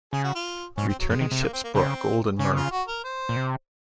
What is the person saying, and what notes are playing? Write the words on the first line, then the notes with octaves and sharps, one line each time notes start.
Returning ships brought gold and myrrh.
C#3 G#4
F#4
F4
G#2 C#4
C4
F#3
F#2 G#3
D#3
C3
A#3
C4
A#3
C#3 C4
C#3 C#4
F4
F#4
A#4
C5
A#2
C3